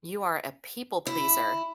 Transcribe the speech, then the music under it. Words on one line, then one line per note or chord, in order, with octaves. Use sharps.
You are a people pleaser.
E4